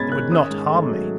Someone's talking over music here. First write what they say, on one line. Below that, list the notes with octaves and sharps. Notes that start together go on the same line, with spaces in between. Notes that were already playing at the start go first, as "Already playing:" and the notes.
They would not harm me.
Already playing: G#2 B2 G#3 C#4 B5 G#6 A6
D#3 F#6
C#4 D#6
G#2
A3
F#3